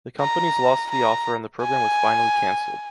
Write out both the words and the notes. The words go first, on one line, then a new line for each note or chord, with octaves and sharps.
The companies lost the offer and the program was finally canceled.
A#5
A#5
G#5